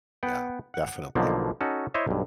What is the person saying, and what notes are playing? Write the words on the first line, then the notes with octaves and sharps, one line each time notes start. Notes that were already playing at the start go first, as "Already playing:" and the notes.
Yeah, definitely.
B3 F#5 G5
F#5
B1 B2 D3 F3 A#3
C#4 D#4 F#4 A4
E4 C5 C#5 D#5 E5
B1 G2